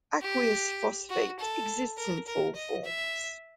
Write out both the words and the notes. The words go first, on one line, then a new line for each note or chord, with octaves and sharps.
Aqueous phosphate exists in four forms.
G4
F#4
A4
A#4
A#4
D#5
E5